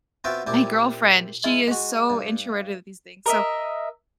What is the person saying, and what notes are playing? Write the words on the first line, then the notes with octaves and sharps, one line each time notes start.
my girlfriend, she is so introverted to these things, so,
B3 C4 F4 F#4 E5 G5
A#2 C4 E4 G4
G#3 E4 F4
G#3 F#4
G2
A#4 D#5 E5